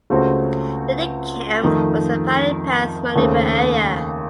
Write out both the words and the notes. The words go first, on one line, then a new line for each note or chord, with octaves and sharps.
Near the camp was the Palen Pass Maneuver Area.
C#2 C#3 A3 C4 F#4
F2 D#3 A3
D#2 C#3 A3 C4